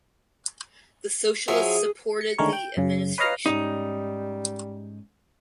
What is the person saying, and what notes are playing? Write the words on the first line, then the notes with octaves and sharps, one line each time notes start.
The Socialists supported the administration.
F3 F#3 G#4 E5
C#7
D3 D#3 G#3 A3 A#4 C#5
G5
F#2 C#3
B4 C#5 D#5 F5 A#5 F6
G#2 G3 C#4 D#4